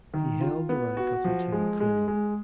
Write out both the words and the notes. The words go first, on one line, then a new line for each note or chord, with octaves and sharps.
He held the rank of Lieutenant Colonel.
D#3
F4
B3
F#4
F3
G#3
G#3
G#3